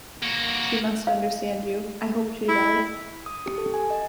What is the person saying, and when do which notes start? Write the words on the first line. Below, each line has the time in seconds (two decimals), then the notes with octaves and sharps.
She must understand you. I hope she does.
0.23 A#3 F#4
1.07 F5
2.48 E4
3.26 D#6
3.46 G4
3.58 A4
3.74 G#5
3.90 D#5